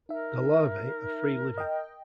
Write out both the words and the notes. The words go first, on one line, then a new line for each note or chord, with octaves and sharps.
The larvae are free living.
D#4 A#4 E5
D#5 G5